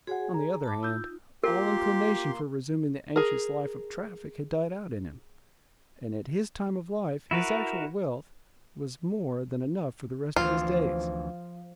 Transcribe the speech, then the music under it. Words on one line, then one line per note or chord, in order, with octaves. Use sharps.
On the other hand, all inclination for resuming the anxious life of traffic had died out in him, and at his time of life his actual wealth was more than enough for the rest of his days.
F#4 G#4 C#5 F#5 G#5
A#5
A5 B5 D6
D#4 F4 E6 G6
A#3 F4 G4 A#4 C6
G#4 A#4
E4 F#4 A#4 B4
D2 E3 F3 F4